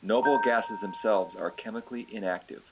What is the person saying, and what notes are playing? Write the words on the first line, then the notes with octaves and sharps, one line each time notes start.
Noble gases themselves are chemically inactive.
A#5 G6